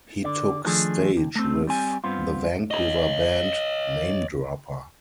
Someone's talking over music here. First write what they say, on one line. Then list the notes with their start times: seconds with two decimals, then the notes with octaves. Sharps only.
He took stage with the Vancouver band Namedropper.
0.24 D3 D5
0.65 D#3 F3 A3 D4 G#4
1.17 D#2
1.35 A3 C4
1.67 G3 C4 G#5
2.04 G2 B3 C4 F4
2.71 C#5 D#5